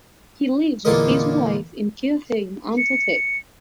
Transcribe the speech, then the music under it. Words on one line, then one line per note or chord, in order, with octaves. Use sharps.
He lives with his wife in Kirchheim unter Teck.
E2 A#2 D3 F4 A#4 D#5
C#7